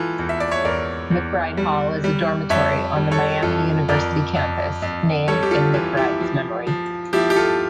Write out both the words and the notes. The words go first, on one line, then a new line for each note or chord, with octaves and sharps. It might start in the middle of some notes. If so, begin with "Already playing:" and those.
McBride Hall is a dormitory on the Miami University campus named in McBride's memory.
Already playing: E3 F4 A4
E2
E5
D5
C#5 E5
E2 A#4 D5
E2
G3
G3
F2 C#5 E5
G3
A4 C#5
F2 F4 A4
F2 A#4 D5
F2
F2
G3 A4 C#5
G4
F4 A4
E3 F4
E4 G4
F3
F3
F3 E4 G4
G4
F4 A4